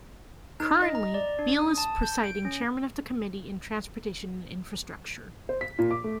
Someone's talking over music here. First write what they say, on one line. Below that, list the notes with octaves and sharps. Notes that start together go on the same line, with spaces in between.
Currently, Beale is presiding Chairman of the Committee on Transportation and Infrastructure.
D#4
D#5
A#5
D5
D4
D#6
A5
G6
D7
C#4
C5
B6
A#2
D6
A3